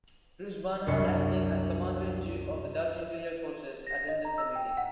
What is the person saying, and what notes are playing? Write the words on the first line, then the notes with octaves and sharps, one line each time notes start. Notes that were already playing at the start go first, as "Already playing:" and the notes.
Prince Bernhard, acting as commander-in-chief of the Dutch Interior Forces, attended the meeting.
C2 F#2 D4 C#6
A#6
D#5
A#5
E6
G5
F#5